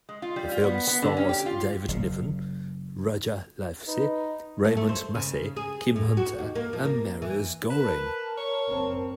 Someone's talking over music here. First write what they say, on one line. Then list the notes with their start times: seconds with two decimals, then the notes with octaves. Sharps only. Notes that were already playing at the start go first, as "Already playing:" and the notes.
The film stars David Niven, Roger Livesey, Raymond Massey, Kim Hunter and Marius Goring.
0.09 G#3
0.22 F4
0.36 G3
0.51 F4
0.64 B3
0.87 B3
1.02 D3
1.17 C#4
1.29 G4
1.46 F4
1.88 F#1 C#3
3.87 D#4 B4
4.64 A3
4.77 A3
4.89 C5
5.15 C#3
5.56 G#4
5.96 A2
6.17 F#4
6.39 D#2
6.55 A#3
6.73 F3
6.85 A#3
7.22 E3
7.70 A#4 B4 A5
8.38 C#5
8.68 F#1 C4